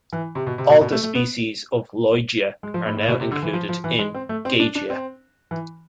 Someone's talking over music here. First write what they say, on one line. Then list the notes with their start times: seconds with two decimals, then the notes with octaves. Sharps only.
All the species of "Lloydia" are now included in "Gagea".
0.13 E3
0.35 C3
0.47 B2
0.58 C3
0.69 B2
0.81 B2
0.92 A3
1.03 A3
1.15 B3
2.63 G#3
2.74 F3
2.86 A2
2.97 A2
3.08 B2
3.20 C3
3.32 D3
3.42 E3
3.53 F3
3.69 F3
3.84 E3
3.99 G#3
4.15 C4
4.29 A3
4.45 C4
4.60 D4
4.75 D4
4.90 C4
5.51 E3